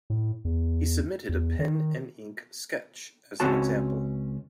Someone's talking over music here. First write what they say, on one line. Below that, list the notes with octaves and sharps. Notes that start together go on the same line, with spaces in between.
He submitted a pen-and-ink sketch as an example.
A2
E2
E2
D#3
C#2 C4 C#4 F#4 A5